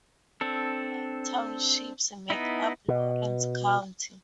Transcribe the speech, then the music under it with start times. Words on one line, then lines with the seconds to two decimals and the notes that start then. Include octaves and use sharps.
Nine townships make up Lawrence County.
0.41 C4 D4 A4
2.30 B3 D#4 E4
2.88 B2